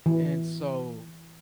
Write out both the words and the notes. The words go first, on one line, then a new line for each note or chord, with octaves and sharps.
and so
E3